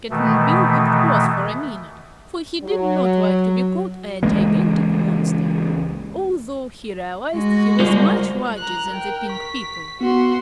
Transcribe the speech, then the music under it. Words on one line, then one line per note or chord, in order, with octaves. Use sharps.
Cap'n Bill looked cross for a minute, for he did not like to be called a "gigantic monster," although he realized he was much larger than the pink people.
B2 D#3 E3 A3
F#3
C#2 E3 G#3 A#3
G#3 F#4
G3 F4 A#4 C5
A#5 F#6
A#4 G5
C#6 B6
B3 F#4 C6